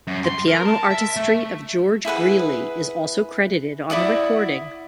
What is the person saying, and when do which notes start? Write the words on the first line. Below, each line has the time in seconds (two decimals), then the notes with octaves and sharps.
The piano artistry of George Greeley is also credited on the recording.
0.07 F#2
0.25 C6
0.48 A#4
0.65 A5
0.91 E5
1.16 A3
2.05 E4 G#4 B4 F#5
3.90 E4 D5 F#5 D#6